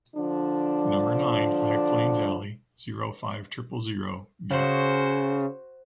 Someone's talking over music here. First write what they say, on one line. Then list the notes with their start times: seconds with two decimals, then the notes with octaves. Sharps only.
Number nine, High Plains alley, zero-five triple zero, Gap.
0.15 D3 F3 D4
4.50 C#3 F#4 C5